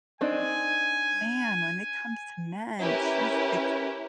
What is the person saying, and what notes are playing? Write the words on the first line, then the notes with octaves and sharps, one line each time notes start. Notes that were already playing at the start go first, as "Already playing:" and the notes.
man, when it comes to men, she's it's
C4 D4 D#4 G#5
C#4 E4 G4 A#4 B4